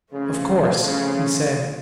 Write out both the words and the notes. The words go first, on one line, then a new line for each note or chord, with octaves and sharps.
"Of course," he said.
C#3 F3 A3 C4 F4
C#3